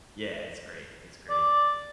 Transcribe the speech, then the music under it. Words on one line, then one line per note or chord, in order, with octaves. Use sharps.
Yeah, it's great. It's great.
D5